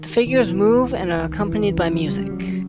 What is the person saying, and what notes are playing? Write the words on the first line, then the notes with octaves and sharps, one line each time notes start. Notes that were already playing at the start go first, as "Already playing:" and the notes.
The figures move and are accompanied by music.
Already playing: D#3
B2 E3
C#2
C#2 D#3
E3
C#3 E3
F3
F#3
C#3 G3
F#3